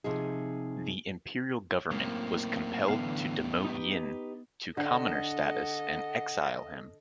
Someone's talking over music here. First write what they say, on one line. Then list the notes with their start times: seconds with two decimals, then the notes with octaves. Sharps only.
The imperial government was compelled to demote Yin to commoner status and exile him.
0.04 C3 F3 D#4 G#4
1.91 F#2 A2 A#3 C4
2.88 D3 E3 B3 F5
3.65 D#4 G4 B4
4.77 D3 A4 D#5 F#5